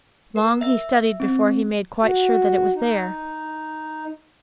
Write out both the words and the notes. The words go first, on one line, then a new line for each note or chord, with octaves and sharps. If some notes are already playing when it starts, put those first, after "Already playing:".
Long he studied before he made quite sure that it was there.
A#4
E5
C4
F#4
D#4